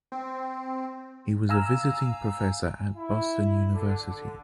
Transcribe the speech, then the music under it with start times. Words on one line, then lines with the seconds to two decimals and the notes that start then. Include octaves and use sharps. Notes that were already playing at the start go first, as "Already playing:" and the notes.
He was a visiting professor at Boston University.
0.12 C4
1.49 F5 G#5 A#5 E6
2.96 E4
3.73 D3
4.04 D3